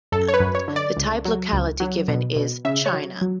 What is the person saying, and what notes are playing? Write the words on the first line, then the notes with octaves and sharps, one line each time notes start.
The type locality given is "China".
F#2 A4
C#5
B4
F#2
C#5
D3
D5
C#2
F#3
C#2
F#3
B2
B2
C#3 E5
C#5
F#3
F#3